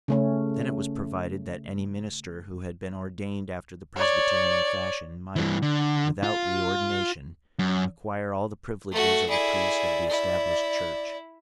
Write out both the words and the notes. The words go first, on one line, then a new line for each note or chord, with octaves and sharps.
Then it was provided that any minister who had been ordained after the Presbyterian fashion might, without reordination, acquire all the privileges of a priest of the Established Church.
C#3 A3 C#4
C#5 D5
G2 E3
D3
F4
F#2
A3 F#4
E4 G#4 D5
E4